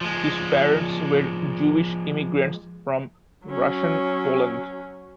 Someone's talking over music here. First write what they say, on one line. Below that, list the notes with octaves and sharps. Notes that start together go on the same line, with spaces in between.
His parents were Jewish immigrants from Russian Poland.
F3 G#3
F#3 C#4